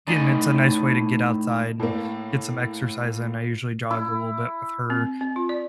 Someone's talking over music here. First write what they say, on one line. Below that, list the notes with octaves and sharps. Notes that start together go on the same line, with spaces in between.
getting into a nice way to get outside and get some exercise and I usually jog a little bit with her,
A2 D#4 D5 G#5
A2 A#3
E4
C4
C4
F4
D5